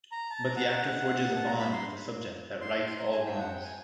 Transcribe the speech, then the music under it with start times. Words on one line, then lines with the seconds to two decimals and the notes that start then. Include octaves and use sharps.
But the actor forges a bond with his subject that rights all wrongs.
0.12 A#5
0.30 A5
0.44 A#5
0.56 F#5
1.36 A5
1.46 A#5
1.59 B5
1.72 C6
2.61 C6
3.00 A#5
3.12 G#5
3.25 G5
3.38 F#5
3.51 G5
3.64 G#5